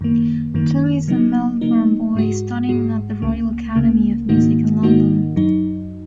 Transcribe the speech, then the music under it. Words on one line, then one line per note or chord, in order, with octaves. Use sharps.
Tommy is a Melbourne boy studying at the Royal Academy of Music in London.
F#2 D#3 A#3
F#2 D#3 A#3
C#3 F#3 A#3 D#4
C#3 F#3 A#3 D#4
G#2 G#3 F#4
G#2 G#3 F#4
C#2 C#3 A#3
C#2 C#3 A#3
G#2 D#3 A#3 D#4 F#4
G#2 D#3 A#3 D#4 F#4
F#2 F#3 D#4